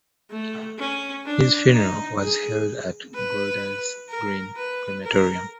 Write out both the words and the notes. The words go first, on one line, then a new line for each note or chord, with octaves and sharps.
His funeral was held at Golders Green Crematorium.
A3
C#4
D4
D#4
G#4
B4
A#4
B4
A#4